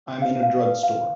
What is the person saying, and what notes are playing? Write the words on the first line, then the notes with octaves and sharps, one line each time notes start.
I'm in a drugstore.
F5
F5
B4
F5